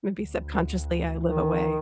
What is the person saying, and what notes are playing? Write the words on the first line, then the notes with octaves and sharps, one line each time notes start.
Maybe subconsciously, I live away.
D2
D#3